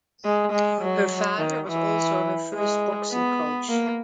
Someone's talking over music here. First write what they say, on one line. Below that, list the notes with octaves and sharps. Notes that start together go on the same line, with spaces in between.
Her father was also her first boxing coach.
G#3
G#3
F#3
D#3
E3
G#3
B3
A#3